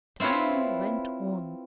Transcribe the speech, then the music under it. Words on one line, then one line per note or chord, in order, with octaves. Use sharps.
Time went on.
C4 E4 F4 B4 C#5